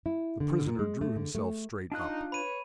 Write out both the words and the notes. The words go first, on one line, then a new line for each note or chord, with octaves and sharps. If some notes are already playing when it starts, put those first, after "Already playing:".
The prisoner drew himself straight up.
E4
D3
A#2
G#3
A3
D3
A3
D4 D#4 F4 F#6
B4 C#5 B5 D#7